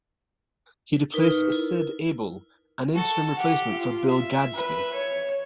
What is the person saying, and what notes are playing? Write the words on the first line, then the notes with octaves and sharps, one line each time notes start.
He replaced Sid Abel, an interim replacement for Bill Gadsby.
D#4 A#4 B4
E4
F#4 A4
G4 F#5
F4
E5
B4
C#5